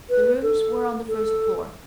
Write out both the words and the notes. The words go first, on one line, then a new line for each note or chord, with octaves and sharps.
The rooms were on the first floor.
B4
A4
A4